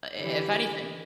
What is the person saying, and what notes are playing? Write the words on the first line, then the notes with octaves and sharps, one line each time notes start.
I if anything.
D3 E3 G4